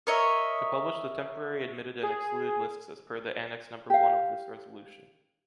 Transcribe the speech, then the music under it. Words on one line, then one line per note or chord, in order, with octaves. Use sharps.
To publish the temporary admitted and excluded lists as per the Annex number one of this resolution.
A#4 C#5 D#5 E5
G#4
G4 F5